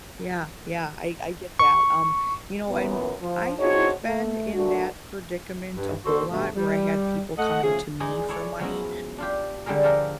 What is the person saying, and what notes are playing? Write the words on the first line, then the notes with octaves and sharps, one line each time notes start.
Yeah, yeah, I I get that, um, you know, and I haven't been in that predicament a whole lot where I had people coming to me for money.
C#6
F#2 A#2 E3 B3
F3
C4 D4 D#4 F#4 G#4 C#5
A3
A#2 A3 D4 F#4
G2
D3 A#3 D4 F#4 A4 C5
G2 B2 D#3 A3
G3
A3 D#5 F#5
C#3 F3 A3 G#4
E3 G#3 D#4 G#4 D5
E4 G#4 A4 C#5 D5
F3 F#3 G#3 B3 C#4 E4
D4 F4 G4
D3 G3 G#3 G#4 A#4
F3 F4 G4 A4 A#4